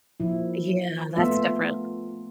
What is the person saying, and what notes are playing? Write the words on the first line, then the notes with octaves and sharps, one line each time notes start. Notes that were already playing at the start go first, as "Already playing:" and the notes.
Yeah, that's different.
A#2 F3 E4
A#2 A3 B3 F4 E5